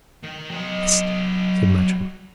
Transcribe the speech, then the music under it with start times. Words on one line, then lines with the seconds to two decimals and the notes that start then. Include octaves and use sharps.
"Hist!" said Matcham.
0.23 D#3
0.50 F#3 D#5